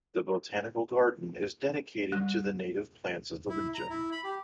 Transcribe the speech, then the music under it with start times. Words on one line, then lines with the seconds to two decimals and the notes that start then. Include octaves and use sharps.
The botanical garden is dedicated to the native plants of the region.
2.12 G3
3.49 E4
3.74 A#5
3.90 E4
4.12 B5
4.24 G4